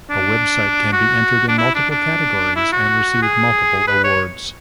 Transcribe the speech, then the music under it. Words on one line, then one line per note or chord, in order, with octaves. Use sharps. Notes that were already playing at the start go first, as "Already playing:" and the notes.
A website can be entered in multiple categories and receive multiple awards.
D4
F#4
D4
E4
D4
D4
E4
F#4
G#4
B4
C#5